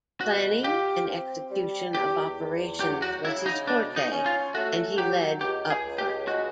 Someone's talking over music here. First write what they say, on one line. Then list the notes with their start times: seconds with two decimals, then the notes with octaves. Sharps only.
Planning and execution of operations was his forte and he led upfront.
0.21 B2 F#4
0.64 F4 G4
1.07 C4
1.51 G3
1.95 E2 G4
2.38 E2
2.80 F#3 G4
3.02 F#4
3.24 C#3 E4
3.46 D#4
3.67 B2 D4
3.96 D#4
4.11 C#4
4.26 F4
4.54 A3 F#4
4.98 F#3 G4
5.41 C#2 G4
5.70 G#4
5.85 C#2
5.98 G4
6.28 G#3 F#4